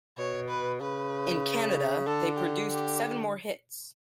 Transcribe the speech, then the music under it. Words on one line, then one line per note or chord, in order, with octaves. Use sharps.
In Canada they produced seven more hits.
B2 C#5
B4
C#3 B4
D3 A4
G4
G4